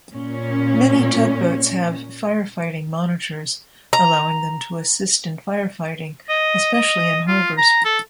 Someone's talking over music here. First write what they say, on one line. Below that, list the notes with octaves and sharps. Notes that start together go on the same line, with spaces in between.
Many tugboats have firefighting monitors, allowing them to assist in firefighting, especially in harbors.
A#2 C#4
A#5
D#5
D#5
F4
A#5
A4